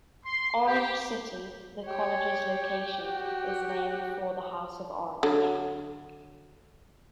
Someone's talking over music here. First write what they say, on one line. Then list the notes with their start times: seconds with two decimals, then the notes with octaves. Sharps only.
Orange City, the college's location, is named for the House of Orange.
0.24 C6
0.66 G4
1.88 G4 C#5
3.03 F#4
5.23 D3 F#3